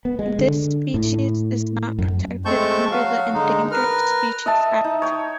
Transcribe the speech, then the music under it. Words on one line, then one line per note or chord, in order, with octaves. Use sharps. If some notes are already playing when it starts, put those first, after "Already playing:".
This species is not protected under the Endangered Species Act.
B3
G#3
D3
A2
F#2
G#3 A3 C4 A5 C#6 G6
F#3 F#4 F5
D3 G#3 D#4
A#4 B4 F6
D#5 E5 A5
D#4
C#5 G5